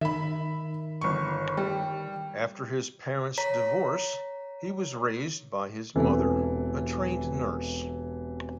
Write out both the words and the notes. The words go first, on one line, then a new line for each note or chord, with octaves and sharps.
After his parents' divorce, he was raised by his mother, a trained nurse.
D#3 E5 B5
G1 C#6
G3
C#5 A#5 B6
E1 C3 E3 A4